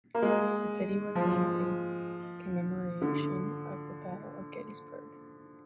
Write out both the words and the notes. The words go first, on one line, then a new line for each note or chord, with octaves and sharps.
The city was named in commemoration of the Battle of Gettysburg.
A#3
G#3
F3
D3